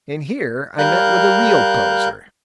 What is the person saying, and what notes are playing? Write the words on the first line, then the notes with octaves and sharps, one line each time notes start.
And here I met with a real poser.
G3 A#4 F5 F#6 G6